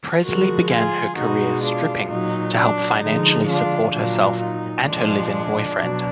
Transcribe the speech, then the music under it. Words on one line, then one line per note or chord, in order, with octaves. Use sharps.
Presley began her career stripping to help financially support herself and her live-in boyfriend.
D3 F3 G#3 F#4 A#4
F4 G#4
B2 G#3 D#4 F#4
D4 F4
A#2 F#3 D#4
D4
D3 F3 G#3 D#4
D4 F4
A#2 F#3 D4 F4
D#4
A#2 F3 G#3 D4
B2 F#3